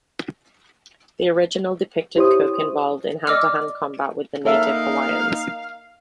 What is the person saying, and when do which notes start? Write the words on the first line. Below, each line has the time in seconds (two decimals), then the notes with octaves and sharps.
The original depicted Cook involved in hand-to-hand combat with the native Hawaiians.
2.16 E4 G4 C5 C#5 D#6
3.27 D5 D#5 D6 E6 F6
4.45 A#3 D#4 A4 C#5 E5 F5